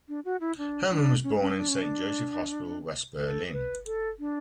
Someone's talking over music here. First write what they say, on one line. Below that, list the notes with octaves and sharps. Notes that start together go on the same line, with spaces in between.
Hermann was born in Saint Joseph's hospital in West Berlin.
D4
F#4
E4
D4
D4
C#4
C#4
D4
C#4
D4
A4
B4
A4
D4